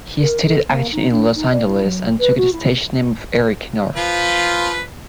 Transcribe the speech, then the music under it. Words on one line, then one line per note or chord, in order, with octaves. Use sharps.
He studied acting in Los Angeles and took the stage name of Eric Nord.
A#4
A4
A#3
D#4
D4
D#4
D5
E4
F#3
B4
F#4
E4
F3 F4 B4